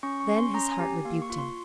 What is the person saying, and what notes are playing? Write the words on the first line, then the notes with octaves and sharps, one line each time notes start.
Then his heart rebuked him.
C#4 C#6
C#6
C#4
C6
C#4 A#5
G#5
G4
A#3 F5
C#6
F4
C6